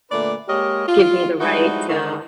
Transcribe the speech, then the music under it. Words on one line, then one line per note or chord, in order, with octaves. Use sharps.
give me the right, uh
A#2 D3 A3 D4 B4 D5
G#3 A#3 G4 A#4 C#5 D#5
F4
F3 G3 G#3 D#4 E4 F#4
G#2 D3 D#3